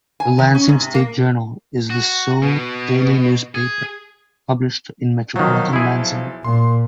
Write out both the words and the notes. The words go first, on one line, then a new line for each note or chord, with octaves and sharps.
The "Lansing State Journal" is the sole daily newspaper published in metropolitan Lansing.
G#5
D#3
C#4
G#2
C3
A#3
F#4
B2
G#4
B1 D#3 F3 F#3
E4 G#4
A#2 C6